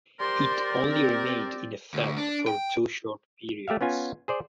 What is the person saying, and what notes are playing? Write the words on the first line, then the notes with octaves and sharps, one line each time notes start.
It only remained in effect for two short periods.
G4 A#4 C5 D5 C6
C4
D2
D4
G5
A3 G4 E5 F5
B3 C#4 F4 G#5
G#4 C5 D5